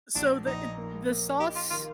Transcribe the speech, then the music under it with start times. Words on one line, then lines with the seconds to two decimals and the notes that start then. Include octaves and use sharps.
So, the eh the sauce
0.15 A#1 D4
0.46 A#1 D#4
0.77 A#3
1.09 A#3
1.39 D#4 G4
1.55 F4
1.70 D#3 F4